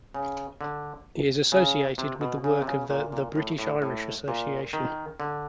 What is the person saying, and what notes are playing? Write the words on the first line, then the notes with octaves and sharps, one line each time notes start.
He is associated with the work of the "The British-Irish Association".
C#3
D3
C#3
C3
B2
C#3
C3
C#3
A#2
A#2
A2
A2
A2
A#2
D#3
D3